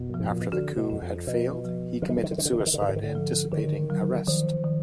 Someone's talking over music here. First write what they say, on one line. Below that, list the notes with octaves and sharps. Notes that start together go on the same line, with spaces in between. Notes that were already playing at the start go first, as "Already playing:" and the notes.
After the coup had failed, he committed suicide, anticipating arrest.
Already playing: F2 B2
F#2 F3
G#2
A#2
B2
D3 F#4
B2
F#2 F#4
F2
B2 F3
F3
D3 F#3
D#3
D3
D#3
D3
D#3 D4
D3
D#3
D3
D#3
D3
G#2 D#3
D3
D#3
D3
F3
D3 D#3
F#3
D#3 F3
D#3